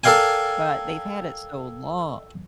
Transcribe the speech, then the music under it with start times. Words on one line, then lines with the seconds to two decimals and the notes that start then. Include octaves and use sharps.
but they've had it so long.
0.04 A4 A#4 D5 F5 G5 G#5